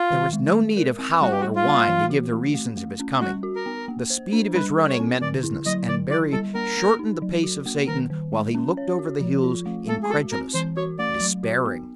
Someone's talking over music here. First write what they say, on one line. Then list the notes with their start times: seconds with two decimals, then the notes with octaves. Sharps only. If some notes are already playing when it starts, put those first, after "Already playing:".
There was no need of howl or whine to give the reason of his coming; the speed of his running meant business, and Barry shortened the pace of Satan while he looked over the hills, incredulous, despairing.
Already playing: F4
0.10 D#3
0.33 G#3
0.55 G#3
0.77 A#4
0.99 C4
1.21 G3 F#4
1.31 G4
1.40 F#4
1.44 G3
1.55 F4
1.65 A#3
1.88 E3
2.10 F#4
2.33 A3
2.54 A3
2.77 A3
3.00 C#4
3.21 G3 F#4
3.43 F#4
3.55 A#4
3.66 B3
3.88 A#3
4.10 C5
4.33 D4
4.55 G3 B4
4.77 A4
4.88 C#5
4.99 C4
5.22 D3 D5
5.43 E4
5.66 F#3 D#5
5.88 D3 D5
6.10 E4 D5
6.32 G3 A4
6.54 A#3 A#4
6.77 A#3
6.99 D#4
7.22 F#3
7.43 F#4
7.66 A#3
7.87 D#3 A#4
8.10 D#3
8.32 G#3
8.55 C#4
8.77 C#5
8.99 F#4
9.21 F3
9.44 F4
9.66 A3
9.87 G#3 A4
10.03 G#4
10.10 F#4 A4
10.32 C4 A#4
10.54 E3 C5
10.77 F#4 C#5
10.99 A3 D5
11.21 F#3
11.43 F#4
11.66 B3